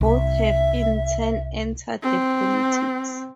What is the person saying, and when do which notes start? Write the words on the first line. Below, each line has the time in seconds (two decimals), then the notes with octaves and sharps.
Both have in turn entered the politics.
0.01 C2 E5
2.03 C4